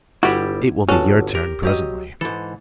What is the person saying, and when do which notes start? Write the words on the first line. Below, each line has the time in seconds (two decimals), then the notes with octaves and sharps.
"It will be your turn presently!"
0.23 G1 G3 E4 F#4 G4
0.89 G1 C#4 F#4 A5
1.35 G4 A#4
1.63 F#3 G4 D#5
2.21 G#2 E3 A4